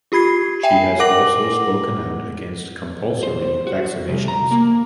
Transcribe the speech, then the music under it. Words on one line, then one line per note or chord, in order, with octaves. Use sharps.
She has also spoken out against compulsory vaccinations.
F4 G4 B5 G#6 C7
E5 G5 G#5 C7
A#4 F#5 D6 A#6 F#7
C5
F#4
C2
A#5
A#3